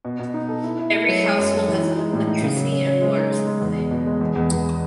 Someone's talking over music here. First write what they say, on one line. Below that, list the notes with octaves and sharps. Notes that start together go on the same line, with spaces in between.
Every household has electricity and water supply.
B2
B2
D#4
A4
E4
E4
A3
F#3
G#3
F#2
F#2
E3
D#4
G#3
A2
D#4
C#3
F#3
C#4
C#4
G#3
D#4
G#3
G#3
E2
B2
B2
G#3
E2
E2
E2